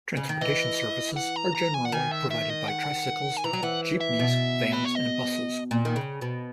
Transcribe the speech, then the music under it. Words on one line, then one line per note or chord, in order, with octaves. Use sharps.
Transportation services are generally provided by tricycles, jeepneys, vans and buses.
C#3
D#3
E3 D#5
F#5
A#5
A#5
G#5
F#5
D#3 G#5
E5
E5
D#5
F#5
G#5
E3 A#5
F#3
E3 F#5
E5
B2
B4
C#5
D#5
A#2
D#3
C#3
B2